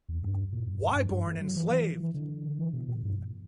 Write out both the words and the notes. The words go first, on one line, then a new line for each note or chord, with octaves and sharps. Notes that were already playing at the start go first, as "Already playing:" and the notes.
Why Born Enslaved!
E2
G2
A#2
F#2
F#2
G2
G2
E3
F#3
E3
E3
E3
D3
E3
B2
A#2
G2